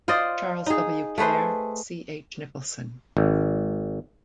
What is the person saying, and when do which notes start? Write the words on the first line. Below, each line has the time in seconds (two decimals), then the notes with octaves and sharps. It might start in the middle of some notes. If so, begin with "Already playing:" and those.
Charles W. Kerr, C. H. Nicholson.
0.08 F4 C5 D5 D#5
0.66 D#4 G#4
1.18 A3 G#4 B4 C5
3.17 G#1